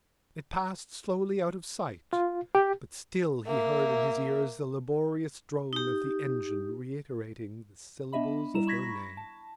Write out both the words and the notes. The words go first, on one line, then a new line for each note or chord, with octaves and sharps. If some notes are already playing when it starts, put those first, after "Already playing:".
It passed slowly out of sight; but still he heard in his ears the laborious drone of the engine reiterating the syllables of her name.
F4
G4
A#3 E5
D#4 G4
B3 D4 D#5 E5 B5
G3 E4 A#5 E7
B5 C#6 G#6 A#6 B6
A5